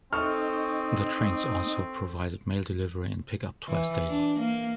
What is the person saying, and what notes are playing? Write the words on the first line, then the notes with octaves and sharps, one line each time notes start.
The trains also provided mail delivery and pick-up twice daily.
C4 D#4 A4 C#6 F6
E3
D4
A#3